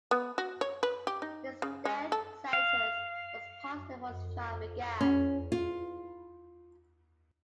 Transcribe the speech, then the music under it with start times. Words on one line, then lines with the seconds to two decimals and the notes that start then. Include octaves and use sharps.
His death sentence was passed before his trial began.
0.11 B3
0.38 F#4
0.61 C#5
0.83 B4
1.07 G4
1.22 D#4
1.62 C#3
1.85 G#3
2.12 A4
2.53 F5
5.01 C#4
5.52 F4